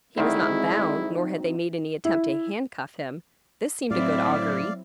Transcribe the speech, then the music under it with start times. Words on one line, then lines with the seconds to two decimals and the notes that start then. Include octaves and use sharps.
He was not bound, nor had they made any attempt to handcuff him; this seemed a good augury.
0.18 D2 D#3 G#3 C4 D#4 E4 F#4
2.05 E4
3.91 A2 F#3 C4 E4 D5 F5